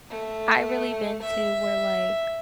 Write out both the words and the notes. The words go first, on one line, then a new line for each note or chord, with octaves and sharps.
I really been to were, like,
A3
E5